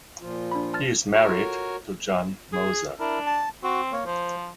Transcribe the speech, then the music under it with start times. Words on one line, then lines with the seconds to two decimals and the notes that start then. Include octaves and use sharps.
He is married to Jan Moser.
0.21 A#2 F3 F4
0.52 D4 B5
0.74 A5 F6 A6
1.13 F#4 A#4 C#5
1.29 F4 A4
2.53 G#4
3.00 D4 E4 A#4
3.26 A5
3.63 C4 F#4
3.92 A#3 A#4 C#5
4.06 F3 C5